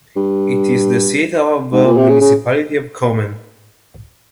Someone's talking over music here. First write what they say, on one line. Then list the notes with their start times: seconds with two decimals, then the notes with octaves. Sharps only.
It is the seat of the Municipality of Komen.
0.16 G2
1.72 G#2
1.86 A#2
1.97 C3
2.09 C#3
2.21 C#3